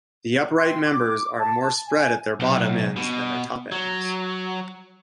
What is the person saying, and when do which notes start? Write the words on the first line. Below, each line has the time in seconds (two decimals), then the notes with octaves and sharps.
The upright members are more spread at their bottom ends than their top ends.
0.57 G5 C6
0.85 D6
1.38 A5
1.87 G#5
2.40 B1
2.96 B2
3.72 F#3